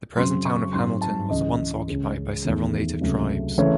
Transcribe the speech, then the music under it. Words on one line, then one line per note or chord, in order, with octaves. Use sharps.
The present Town of Hamilton was once occupied by several native tribes.
F#2 C#3 F#3 C4 C6
C#6
G#2 F#3 C4 C6
A5
C#2 C#3 E3 D#5
C#2 C#3 G#3 C#4
E2 D#3 A3
C#2 C3 F#3 A3
C#3 E3 A3 C4 C#5